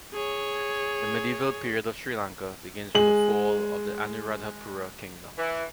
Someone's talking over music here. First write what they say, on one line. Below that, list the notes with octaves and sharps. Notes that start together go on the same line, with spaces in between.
The medieval period of Sri Lanka begins with the fall of Anuradhapura Kingdom.
G#4 C#5
G#3 F#7
E3